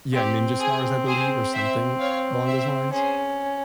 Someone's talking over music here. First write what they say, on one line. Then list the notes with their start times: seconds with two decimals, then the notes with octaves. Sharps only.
Yeah, ninja stars, I believe, or something along those lines.
0.13 C4 G4
0.60 G#4
1.06 G#4 C5
1.53 C5 E5
1.99 C#5 F5
2.46 C5 E5
2.92 C#4 G#4 C5